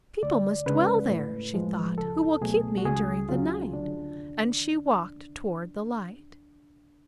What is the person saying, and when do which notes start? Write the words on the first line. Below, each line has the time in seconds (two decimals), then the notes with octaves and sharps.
"People must dwell there," she thought, "who will keep me during the night"; and she walked toward the light.
0.23 D2 D5
0.66 C#3 G#3 B4
1.10 A2
1.54 F3 G#3
1.98 C#2 A4
2.41 B2 F#3 A3 G#4
2.78 F#4
2.85 C#2 G#4
3.29 C#3 F#3 F4
3.73 D2 D4